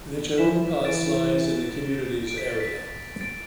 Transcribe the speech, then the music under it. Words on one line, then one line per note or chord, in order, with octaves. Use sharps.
The Jaunpass lies in the community's area.
E3 B6 E7
E3 A6 D7
D7
B6
A6
B6
A6
A6 D7